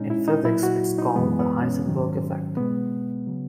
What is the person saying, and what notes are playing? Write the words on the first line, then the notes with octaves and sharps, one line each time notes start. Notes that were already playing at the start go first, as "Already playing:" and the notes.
In physics it's called the Heisenberg Effect.
Already playing: A#2 G#3 C#4 D#4
E4
D#4
A#2 F#3 E4
F#4
D#4
F#2 E3 G#3 B3
B3
C#4
G#2 D#3 F#3
B2 G#3 B3
C#3 F#3